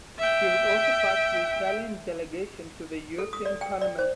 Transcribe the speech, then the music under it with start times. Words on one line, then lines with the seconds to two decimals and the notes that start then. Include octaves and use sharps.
She was also part of the Italian delegation to the European Parliament.
0.19 E5 G5
3.18 A4
3.33 D#6
3.45 D5
3.61 G5
3.81 D5
3.99 C5